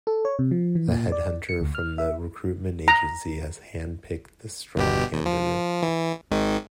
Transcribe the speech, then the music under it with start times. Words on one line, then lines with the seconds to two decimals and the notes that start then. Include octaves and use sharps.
The head hunter from the recruitment agency has hand-picked this strong candidate.
0.07 A4
0.25 C#5
0.39 C3
0.51 F3
0.75 E3
0.88 A#2
1.12 D5
1.49 C#7
1.61 D2
1.75 F6
1.98 E5
2.88 A#5
4.77 G1 B2 G4
5.13 D#2
5.26 F3
5.82 E3
6.31 G#1 G#2 D#3